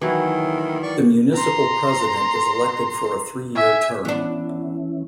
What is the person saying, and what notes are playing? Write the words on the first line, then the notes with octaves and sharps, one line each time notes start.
The municipal president is elected for a three-year term.
D#3 E3 F#3 E4
D5 C#6
A#5 C6
E5 G#5
E3 B3 C#4 D4 E4